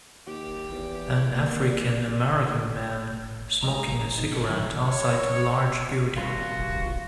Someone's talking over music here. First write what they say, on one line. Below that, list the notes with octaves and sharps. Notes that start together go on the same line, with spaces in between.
An African American man smoking a cigarette outside a large building.
D#2 G4
E2
A#3 D5
A3
G#3 D#5 A#5
A1 A#2
G#2 B2 D#4
C#4 A4
F#2 D#3 G#5 F#6
C#5
D#1 C2 F4 F#4